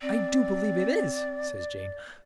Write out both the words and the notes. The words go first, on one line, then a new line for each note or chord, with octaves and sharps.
"I do believe it is," says Jane.
C4 D5